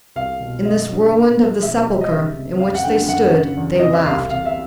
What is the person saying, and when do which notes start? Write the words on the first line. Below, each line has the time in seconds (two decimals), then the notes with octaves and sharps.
In this whirlwind of the sepulchre in which they stood, they laughed.
0.16 C2 F5
0.40 B2
0.64 F#2 D#5
0.89 D3
1.13 A#2
1.38 F3
1.62 B2 E5
1.87 G3
2.01 D#5
2.11 C#2 E5
2.35 C3
2.60 F#2 F5
2.75 F#5
2.84 D3 G5
3.08 F#2 F#5
3.33 C#3
3.57 E2
3.79 C3 D#5
3.93 E5
4.06 C2 F5
4.30 C3 F5
4.45 E5